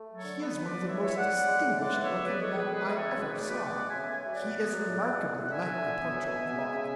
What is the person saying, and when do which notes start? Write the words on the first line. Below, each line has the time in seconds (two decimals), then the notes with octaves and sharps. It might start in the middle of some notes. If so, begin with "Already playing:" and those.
He is one of the most distinguished-looking men I ever saw. He is remarkably like the portrait of Locke.
Already playing: A3
0.09 F#3
0.16 A4 C#5
0.24 D3
0.40 B3
0.55 F#3
0.63 B4 D5
0.71 D3
0.86 G#3 C#5 E5
1.01 E3 C#5 E5
1.17 A2 D5 F#5
1.33 B3
1.48 G#3
1.64 A2
1.78 G#3 D5 F#5
1.94 E3
2.02 C#5 E5
2.09 C#3
2.25 B3 B4 D5
2.40 G#3 A4 C#5
2.56 B2 G#4 B4
2.71 G#3 G#4 B4
2.87 E3
2.95 A4 C#5
3.02 C#3
3.18 B2 G#4 B4
3.33 A3 B4 D5
3.49 B2 B4 D5
3.64 B3 D5 F#5
3.80 G#3
3.87 E5 G#5
3.95 C#3
4.11 A3 E5 G#5
4.26 F#3
4.34 D5 F#5
4.42 B2
4.57 B3
4.73 F#3
4.88 A2
5.04 B3
5.19 G#3
5.34 A2
5.43 F#5
5.49 D3 E5 G#5
5.65 A3
5.81 D3
5.97 B3
6.12 F#3
6.27 B2
6.43 B3
6.59 G#3
6.74 C#3